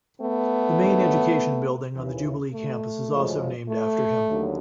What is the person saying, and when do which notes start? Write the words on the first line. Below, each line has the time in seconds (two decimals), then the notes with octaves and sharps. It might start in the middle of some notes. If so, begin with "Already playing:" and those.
The main education building on the Jubilee Campus is also named after him.
0.21 A3 B3
0.79 G2 D#3 F#3
1.95 D#2 C#3 E3
2.53 A3
3.10 F#2 C#3 F3 G#3
3.68 A3
4.26 D#2 D3 F#3